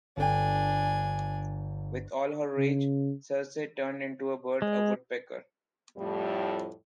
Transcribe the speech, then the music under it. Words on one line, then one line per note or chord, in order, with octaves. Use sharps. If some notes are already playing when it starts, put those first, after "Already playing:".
With all her rage, Circe turned into a bird, a woodpecker.
G1 D4 A4 G5 G#5
C#3
G#3
F2 A2 G3